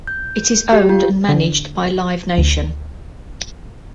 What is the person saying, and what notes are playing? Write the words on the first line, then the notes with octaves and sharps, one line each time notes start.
It is owned and managed by Live Nation.
G6
G4
F4
D3
D2